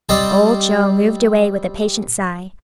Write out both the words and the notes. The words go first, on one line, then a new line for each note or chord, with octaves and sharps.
Old Joe moved away with a patient sigh.
G3 C4 C5 D5 D#5